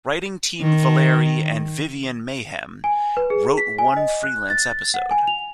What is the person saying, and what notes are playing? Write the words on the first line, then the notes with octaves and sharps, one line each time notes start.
Writing team Valerie and Vivian Mayhew wrote one freelance episode.
D#3
G#5
B4
G#4
B6
G#5
D#5
F#6
A6
A6
F#5
G#5
F7